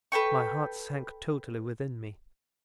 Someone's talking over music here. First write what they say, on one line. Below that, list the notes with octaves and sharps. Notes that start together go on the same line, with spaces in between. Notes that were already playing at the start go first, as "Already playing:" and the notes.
My heart sank totally within me.
A4 B4 G5 C#6